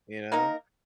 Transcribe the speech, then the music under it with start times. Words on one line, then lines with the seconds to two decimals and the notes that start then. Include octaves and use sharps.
you know?
0.32 A#3 D#4 A#4